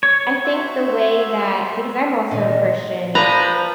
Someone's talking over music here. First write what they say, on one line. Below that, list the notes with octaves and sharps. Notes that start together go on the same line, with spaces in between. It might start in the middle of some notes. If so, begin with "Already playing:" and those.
I think the way that because I'm also a Christian,
C#5
F#4 C5 E5
A#2 D#3 E3 G#3 C5 D#5
F3 B4 C5 D5 A#5 B5